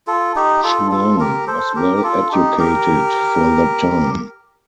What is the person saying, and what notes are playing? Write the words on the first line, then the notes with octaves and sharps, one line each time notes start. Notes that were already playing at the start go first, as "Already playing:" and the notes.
Chuang was well educated for the time.
F4 A4
D#4 G4
F4 A4
F4 A4
G4 A#4
A4 C5
G4 A#4
G4
F4 A4
D#4 G4
G4 A#4